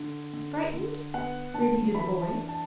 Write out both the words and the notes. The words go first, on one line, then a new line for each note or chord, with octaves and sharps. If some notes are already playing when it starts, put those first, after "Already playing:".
'Frightened?' repeated the boy.
Already playing: D3
D3
D3
B3 F#5
D3 A5
E3 B5
A5
D4
A5